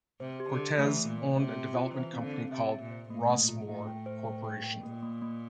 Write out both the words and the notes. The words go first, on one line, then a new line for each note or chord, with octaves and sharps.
Cortese owned a development company called Rossmoor Corporation.
C3 C5
G4
D3
G4
E3 A3
A3
A#2
A3
C3 C5
F4
F4
E3 C5
C4
D3
C4
C3 E5
E5
A#2
C5
A2 A#3
A#3
F4
A2 E5
G5
C5
G5
G5
G5
A#2 A#3
A#3
A#3